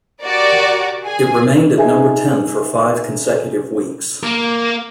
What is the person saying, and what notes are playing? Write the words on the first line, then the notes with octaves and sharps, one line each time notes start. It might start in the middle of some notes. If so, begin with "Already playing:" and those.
It remained at number ten for five consecutive weeks.
F#4 G4 A#4 D5
G#4 G#5
D#4 G#4 E5
A#3 A#4